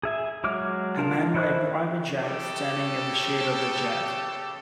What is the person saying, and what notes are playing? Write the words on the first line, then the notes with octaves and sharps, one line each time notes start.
A man by a private jet is standing in the shade of the jet.
G#4 E5 G#5
F#3 G#3 D6 F6
D4 F4 A#4 A5
D#3 E4 C5 F#6
C#3 G4 A4